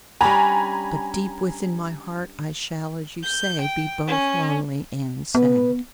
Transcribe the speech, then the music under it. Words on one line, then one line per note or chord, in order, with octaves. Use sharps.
But deep within my heart I shall, as you say, be both lonely and sad.
G3 C#4 D4 G#5 A#5 B5
G6
G5
C#4
B2 B3 B4